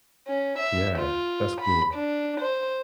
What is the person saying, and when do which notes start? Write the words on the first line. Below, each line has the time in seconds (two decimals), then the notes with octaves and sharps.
Yeah. That's cool.
0.27 C#4
0.59 E5
0.98 F4
1.61 B5
1.94 D4
2.40 C5